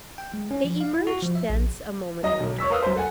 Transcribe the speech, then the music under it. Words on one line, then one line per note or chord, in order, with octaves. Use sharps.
They emerged thence a moment later.
G5
G#3
C#4
F3
F5
E4
F#4
F3
E5
A#1
F#3 D#5 A#5
B1
C#5 C#6 E6 B6
A#4 B4 F5 D#6 E6
F#3 C5
A4 F#5 G#5